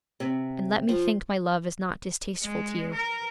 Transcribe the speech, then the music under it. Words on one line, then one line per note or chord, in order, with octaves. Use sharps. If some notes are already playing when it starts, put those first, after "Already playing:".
And let me think my love is not distasteful to you.
C3
F3
G#3
A#4